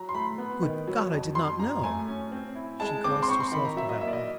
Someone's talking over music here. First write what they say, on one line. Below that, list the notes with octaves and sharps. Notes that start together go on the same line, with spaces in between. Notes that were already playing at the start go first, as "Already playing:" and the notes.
"Good God, I did not know!" She crossed herself devoutly.
Already playing: F#3 A#5
C6
A3 B5
B3
D#3
F#3
F2
G3 C6
F#2 A#5
A3 G#5
C#4
C4
E4
G#3 A5
C4 D6
C6
C4 C#6
C6
D#3 B5
A#5
F#3 E5
D#5
A#3 E5
D5
D#5